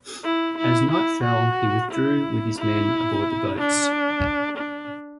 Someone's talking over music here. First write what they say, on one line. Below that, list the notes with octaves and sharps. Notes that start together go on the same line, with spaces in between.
As night fell, he withdrew with his men aboard the boats.
E4
E4
E4
F#4
E4
E4
D4
D4